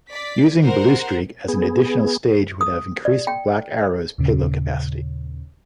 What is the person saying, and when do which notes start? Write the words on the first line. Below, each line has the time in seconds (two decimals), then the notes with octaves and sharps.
Using Blue Streak as an additional stage would have increased Black Arrow's payload capacity.
0.10 D5 B6
0.62 A#4 C5 F#5
1.48 B3 G#4
2.61 D#6
3.05 D5
3.27 G5
4.18 D#2 A#2 C#3